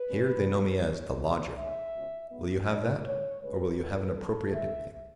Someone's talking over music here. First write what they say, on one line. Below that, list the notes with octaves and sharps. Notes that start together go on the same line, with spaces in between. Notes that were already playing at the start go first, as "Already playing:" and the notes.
Here, they know me as The Lodger. Will you have that? or will you have an appropriate nick-name?
Already playing: B4
B2 G#3 C#4
E2 B2 F#3
D2 C#3 F#3 C#5
E2 C#3 F#3 D5
G#2 G#3 C#4 E5
C#2 B2 G#3 C#4
G#2 F#3 B3
C#2 C#3 G#3 D5
G#2 G#3 B3 C#5
D2 C#3 G#3 B4
F#2 D3 F#3
D2 C#3 F#3 C#4 A4
E2 C#3 G#3 E5